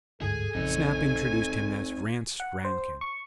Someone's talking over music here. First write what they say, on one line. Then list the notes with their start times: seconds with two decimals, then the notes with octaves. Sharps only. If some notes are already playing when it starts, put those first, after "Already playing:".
Snap introduced him as Rance Rankin.
0.22 G1 D2 G#2 G#4 A4 G#5
0.55 A#1 F2 C#3 C4 D#4
2.40 F#5
2.65 C5
3.01 C#6